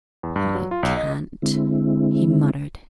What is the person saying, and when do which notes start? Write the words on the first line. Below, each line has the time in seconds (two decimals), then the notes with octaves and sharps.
"I can't!" he muttered.
0.23 E2
0.36 G2
0.55 F#3
0.71 F4
0.83 B1
0.97 D#5
1.42 D3 G#3 C4 E4